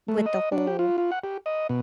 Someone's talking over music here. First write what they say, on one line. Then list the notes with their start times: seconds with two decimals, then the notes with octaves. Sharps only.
with the whole
0.08 A3
0.26 D#5
0.52 D4
0.67 G4
0.79 F4
0.98 F4
1.12 F#5
1.24 G4
1.46 D#5
1.69 B2